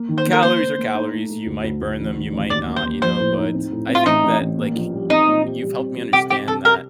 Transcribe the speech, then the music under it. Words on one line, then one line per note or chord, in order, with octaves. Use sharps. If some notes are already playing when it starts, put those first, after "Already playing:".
calories are calories, you might burn them, you might not, you know, but, I think that, like, y you've helped me understand that
Already playing: A#3
D#3
C5
A#3
A#4
A#3 C5
A#3
A#3
D#4
A3
A3
D2
D2
D2
A1
D#3
A1
D#2 D5
A#3
C5
A#3
F3 C5
A2
D#4
C4
A2
C4
F4
A1 D#4
A1
A1
A#3
A#1
G3
C4 D#4
A#2
G4
G3
C4
G3
C3 G4
C3 G4
C3 A4
A#4